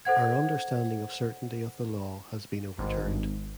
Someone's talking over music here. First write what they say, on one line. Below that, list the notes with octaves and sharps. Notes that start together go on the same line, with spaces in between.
Our understanding of certainty of the law has been overturned.
A4 C5 F#5 G#6
G#1